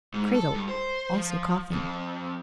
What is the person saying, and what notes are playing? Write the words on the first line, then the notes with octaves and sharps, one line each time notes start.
Cradle; also coffin.
G#2
A4
G2
C5
F3
F2